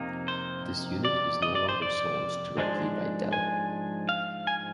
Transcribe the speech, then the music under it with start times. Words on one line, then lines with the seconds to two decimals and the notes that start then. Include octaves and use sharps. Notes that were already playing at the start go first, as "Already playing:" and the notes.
This unit is no longer sold directly by Dell.
Already playing: F2 C3 A#3 D#4
0.28 C5
1.05 D5
1.42 D#5
1.55 D5
1.69 C5
1.82 D5
2.57 G#2 F3 G#3 D4
3.33 G#5
4.09 F5
4.47 G#5